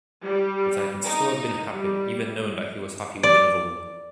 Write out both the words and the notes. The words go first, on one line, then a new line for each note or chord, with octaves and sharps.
But I could still have been happy, even knowing that he was happy with another woman.
G3
D#4
G3
D5